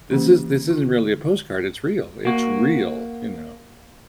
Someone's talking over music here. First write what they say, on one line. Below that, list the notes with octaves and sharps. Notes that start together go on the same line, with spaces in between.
this is this isn't really a postcard, it's real, it's real, you know.
E3 A#3 C#4 G4
D3 F4
A#3 F#4